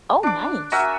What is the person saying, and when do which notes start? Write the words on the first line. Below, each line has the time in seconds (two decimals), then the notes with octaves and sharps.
oh, nice.
0.23 D4 D6
0.72 F#4 A#4 E5 G#5